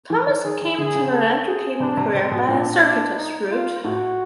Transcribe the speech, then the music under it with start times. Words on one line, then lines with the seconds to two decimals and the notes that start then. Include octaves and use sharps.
Thomas came to her entertainment career by a circuitous route.
0.10 E3
0.27 D#3
0.44 D#3 G#4
0.61 D#3
0.78 D3 G#4
0.95 C#3
1.12 A4
1.47 G#4
1.80 C3 D4
1.97 C3
2.14 C3 C4
2.31 B2
2.48 A#2 D4
2.82 D4
3.17 D#4
3.50 F4
3.84 A2 F#4